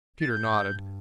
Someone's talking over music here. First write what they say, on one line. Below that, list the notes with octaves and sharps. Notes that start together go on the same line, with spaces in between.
Peter nodded.
A6
G2 G6